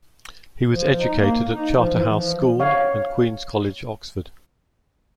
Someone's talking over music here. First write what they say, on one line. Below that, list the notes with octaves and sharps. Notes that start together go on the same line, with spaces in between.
He was educated at Charterhouse School and Queen's College, Oxford.
F3
D#4
A#3
D#4
F3
E3
F3
C#5 F5